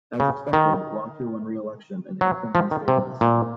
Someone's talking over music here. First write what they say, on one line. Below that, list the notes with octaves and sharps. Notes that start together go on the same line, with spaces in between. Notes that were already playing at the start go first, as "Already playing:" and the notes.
As expected, Lockyer won re-election and Ackerman stayed in the Senate.
C#3
D#3
F#3
F3
D#3
C3
A#2